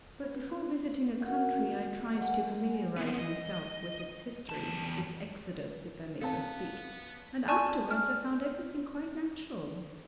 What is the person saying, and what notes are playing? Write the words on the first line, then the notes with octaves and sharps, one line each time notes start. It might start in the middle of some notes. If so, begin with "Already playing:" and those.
But before visiting a country, I tried to familiarize myself with its history, its Exodus, if I may so speak, and afterwards I found everything quite natural.
B4
D#3 A#3 F#4
G#3 A#3 D5 F#5
B3 C4
D#5
E2 A5
B3 C4 A4 F5 A5
D5 G#5 A5 C#6
F6